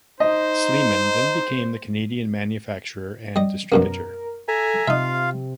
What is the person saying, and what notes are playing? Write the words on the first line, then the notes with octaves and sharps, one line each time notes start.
Sleeman then became the Canadian manufacturer and distributor.
D#4 C5 D#5
G3 D#5
F#2 B2 A#3 A#4
A4 E5 G#5 A#5
C3 D#4 F4 E5 F5